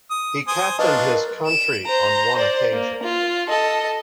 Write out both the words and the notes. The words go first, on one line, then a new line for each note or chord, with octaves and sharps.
He captained his country on one occasion.
D#6
C5 G#5 D#6
F#3 D4 F4 B4 D#5 A5
A#4
D7 E7
C5 A#5
C5 D5
A#3
F4
A4 D#5